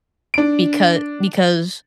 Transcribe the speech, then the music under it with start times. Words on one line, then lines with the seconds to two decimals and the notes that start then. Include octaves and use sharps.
becau because
0.34 D4 D7